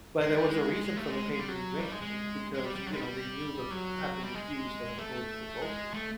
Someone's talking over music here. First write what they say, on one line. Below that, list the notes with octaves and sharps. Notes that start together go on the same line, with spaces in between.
but there was a reason for the pay being great, it's because, you know, they knew that the type of abuse their employees will go through,
G#3
G3
G#3
G#3
A3
G#3
G#3
G3
F#3
G3
G#3
G#3
G#3
G3
G3
F#3
G#3
G3
F#3
G3
G#3
A3
G#3
A3